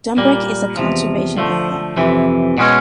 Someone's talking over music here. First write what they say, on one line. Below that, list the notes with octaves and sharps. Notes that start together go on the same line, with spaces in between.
Dumbreck is a conservation area.
A#2 G3 A#3
E2 C3 F3
D3 F3 A3
F2 C3 E3
B2 G#3 C#4